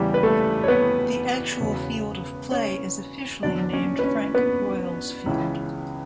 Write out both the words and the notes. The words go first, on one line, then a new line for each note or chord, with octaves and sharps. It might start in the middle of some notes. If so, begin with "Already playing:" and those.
The actual field of play is officially named "Frank Broyles Field".
Already playing: E2 C#3 E3 G3 G4
B4
A3 A4
C#5
B3 B4
E1 E2 C#3
C#4 C#5
E2 D3 F#3 D4 D5
C#4 C#5
B4
C#4 C#5
B3 B4
C#2 C#3 E3